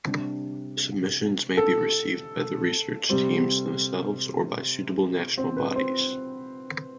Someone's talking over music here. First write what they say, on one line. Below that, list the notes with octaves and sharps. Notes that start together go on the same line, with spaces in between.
Submissions may be received by the research teams themselves or by suitable national bodies.
C3 G3 D4
A4
C3 G3 C4
C4 C5
B4
C4 C5